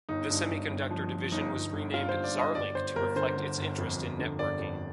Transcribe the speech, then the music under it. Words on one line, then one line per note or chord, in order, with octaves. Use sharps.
The semiconductor division was renamed Zarlink to reflect its interest in networking.
G1 D#4
G2
G1
G1
F3
F3
G1 D#4
G1
G1
G2 F4
C5
G1
D5
G2 D#5
G1 D5
G1 C5
G1 A#4
D3 C5
D3
G1
F2
G1
D3
G1 D5
F2